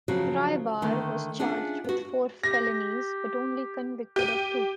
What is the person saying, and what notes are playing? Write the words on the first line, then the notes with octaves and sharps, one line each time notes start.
Rybar was charged with four felonies, but only convicted of two.
C#3 F3 F#3 F#4
D3 D#3 A3
C#4 D4 F4 G#4 E5 F#5
B3 F#4
G4 A#6
G4 D#7